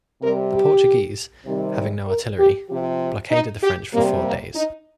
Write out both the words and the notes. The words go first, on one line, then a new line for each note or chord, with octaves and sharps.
The Portuguese, having no artillery, blockaded the French for four days.
C3 G3 A#4
G4
C3 D#3 G3
A#4
G4
C3 F3 G4
D#4
G4
C3 G3 A#3
A#3
D#4